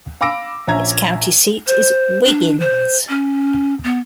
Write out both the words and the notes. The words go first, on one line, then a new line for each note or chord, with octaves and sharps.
Its county seat is Wiggins.
F5 B5 D6 E6 A#6 D7
A#1 C#4 E5 A#5 G#6
C5
D4
C5
C#4
B3